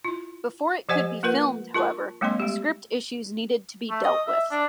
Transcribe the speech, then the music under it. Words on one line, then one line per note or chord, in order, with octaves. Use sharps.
Before it could be filmed, however, script issues needed to be dealt with.
E4 F4
F3 G4 C5 D#5 F#5 G#5
A#3 F4 A#4 B4 F#5
F4 A#4 A5 C#6
G3 A3 B3 C#4 D#5 C6
G#3 G4
A3
D#5
E5
D4